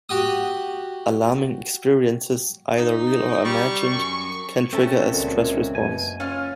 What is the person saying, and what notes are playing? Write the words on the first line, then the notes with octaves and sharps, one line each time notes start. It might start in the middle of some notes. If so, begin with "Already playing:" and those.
Alarming experiences, either real or imagined, can trigger a stress response.
F#4 G4 D#6
D#4
G3 C#6
F#2
A3 C4 C#4 F#4 E5 A5
C#2 A#2 G#3
F#1 B2 G#5
C#4 F4 F6